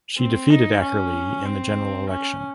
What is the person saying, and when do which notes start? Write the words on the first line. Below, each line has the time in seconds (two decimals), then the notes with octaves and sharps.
She defeated Ackerley in the general election.
0.18 C4
0.50 D#4
0.82 C#4
1.46 C4
2.10 C#4